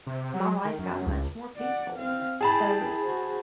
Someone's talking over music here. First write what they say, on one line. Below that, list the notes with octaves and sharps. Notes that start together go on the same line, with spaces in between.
my life got much more peaceful. So
C3
F#3
D#3
F#2
C#2
D5 F#5
C4 F5
E4 G#4 G5 A5 B5
F#4 C5